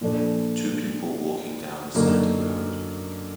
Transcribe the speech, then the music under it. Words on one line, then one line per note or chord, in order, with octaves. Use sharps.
Two people walking down a sandy road.
A#2 F3 A3 D4
F#2 D3 F#3 A#3 D#4